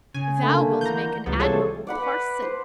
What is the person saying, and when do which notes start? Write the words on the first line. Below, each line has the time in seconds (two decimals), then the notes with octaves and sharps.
Thou wilt make an admirable parson.
0.14 C#3 G#5
0.41 D3 A3 A#3
0.81 E3 A#5 G6
1.26 C#2 E3 G3 B3 F4
1.40 C3 G#4 A4 C#5
1.87 D5 F#5 B5
2.02 B4
2.42 C5